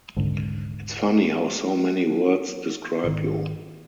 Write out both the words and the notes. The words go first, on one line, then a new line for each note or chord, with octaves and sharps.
It's funny how so many words describe you.
D#1 C2 G#2 D3
G#1 D#3